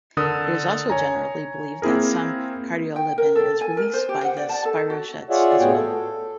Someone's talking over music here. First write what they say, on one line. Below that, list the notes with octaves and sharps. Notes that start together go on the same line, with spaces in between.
It also generally believed that some cardiolipin is released by the spirochetes as well.
D3 A4 A#4 D#6
C#5 G#5 A#5
A#3 C4 E4 G#4 A#4
G5
A#4
A4
G#5
A#4
C5
G4
F#5
D5
A5
A4
F#4
F4 G#4 C#5 D5 E5 F#5
A2 B3 F#4 G#4 C#5 G5
A4